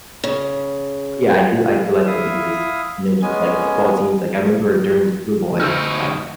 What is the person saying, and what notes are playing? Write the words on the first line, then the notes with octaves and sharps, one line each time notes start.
but yeah, I do I do like that because, you know, like football teams Like I remember during the Super Bowl, I think, uh
C#3
E4 E5 F5 D#6
G#3 B3 C#4 G#5
D2 D#4 F#4 E6 F6